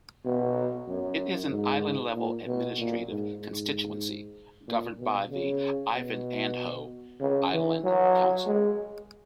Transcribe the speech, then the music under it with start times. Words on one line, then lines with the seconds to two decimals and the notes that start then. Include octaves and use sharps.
It is an island-level administrative constituency governed by the Ihavandhoo Island Council.
0.25 B2
0.88 F#2
1.51 G#2
2.14 A#2
2.46 B2
2.78 A#2
3.09 G#2
3.41 G#2
4.67 A#2
4.99 B2
5.31 C#3
5.94 B2
7.20 C#3
7.52 E3
7.84 F#3
8.46 G#3